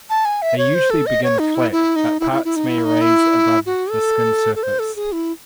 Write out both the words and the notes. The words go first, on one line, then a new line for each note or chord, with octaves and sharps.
They usually begin flat, but parts may raise above the skin surface.
A5
G#5
E5
C#5
C5
A4
D#5
C#5
D#4
E4
E4
D#4
E4
E4
E4
D#4
E4
D#4
E4
F#4
A4
A4
C5
A4
G#4
E4